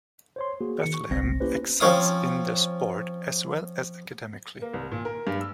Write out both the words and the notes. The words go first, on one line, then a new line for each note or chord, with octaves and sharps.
Bethlehem excels in their sport as well as academically.
C5 C#5 C6
A#3 F#4 G#4
D#3 C#7
C#6
G1 C2 C4 A#6
A#3 C#4 E4 G4 B4 C5
F3 C4 C#4 F5 D#6
A#3
C2
A#2
A#4
G2
E6